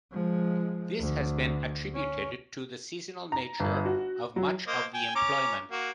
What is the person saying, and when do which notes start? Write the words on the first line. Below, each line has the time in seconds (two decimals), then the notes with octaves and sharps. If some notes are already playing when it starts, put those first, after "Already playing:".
This has been attributed to the seasonal nature of much of the employment.
0.12 F3 G#3
0.99 D2
1.95 C#4
3.32 A#5
3.60 G1
3.85 F#4
4.36 F#3
4.67 A#3 C5 D#5
4.94 G5 G#5
5.15 C#4 A#5 D6
5.71 A#3 F#4